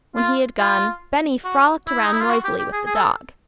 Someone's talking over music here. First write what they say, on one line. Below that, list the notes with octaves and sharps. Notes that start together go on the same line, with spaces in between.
When he had gone, Benny frolicked around noisily with the dog.
F4
F4
F#4
E4
D#4
E4
F4
F#4
G4
G4
G#4
G#4
A4